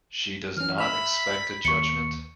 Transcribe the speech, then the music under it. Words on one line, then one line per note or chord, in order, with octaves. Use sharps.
She does not expect a judgment?
E3 C#4 F6
E5 B5 E6 F6
D#2 C#6 C#7